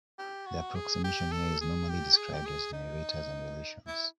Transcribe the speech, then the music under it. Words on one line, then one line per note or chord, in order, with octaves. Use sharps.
The approximation here is normally described as generators and relations.
G4
F#4
G#4
G4
A4
G#4
G4
G#4
G4
G#4
D#4
E4